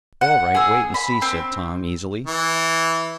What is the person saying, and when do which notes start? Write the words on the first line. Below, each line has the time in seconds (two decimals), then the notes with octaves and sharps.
"All right, wait and see," said Tom, easily.
0.21 F#5
0.55 G#4 E6
0.94 B5
1.22 C4
2.27 E3